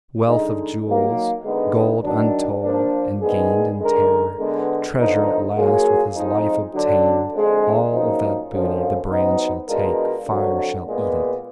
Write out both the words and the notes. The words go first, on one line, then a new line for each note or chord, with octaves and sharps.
Wealth of jewels, gold untold and gained in terror, treasure at last with his life obtained, all of that booty the brands shall take, fire shall eat it.
D3 G#3 D#4
D#3 F#3 A#3
D3 G#3 B3 D#4
D#3 F#3 D4
F3 A#3 D4
D#3 G#3 B3 D4 G#4
D3 G#3 D#4 A#4
D3 G#3 B3
D3 F3 B3 D#4
F#3 A#3 F4 G#4
F2 F3 G#3 D#4
D3 F#3 D4
F2 D3 G#3
F#2 F3 A#3 D#4
F#2 D3 F3
G#2 F#3 B3 D#4
B2 G#3 D4 F4 A#4
F2 D3 F#3
A#2 G#3 B3